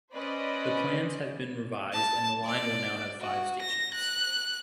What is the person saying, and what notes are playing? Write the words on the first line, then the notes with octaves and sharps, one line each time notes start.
The plans have been revised and the line will now have five stations.
C#4 B4 C5 D5 D#5
A5
D5
F#4
A#6
F#6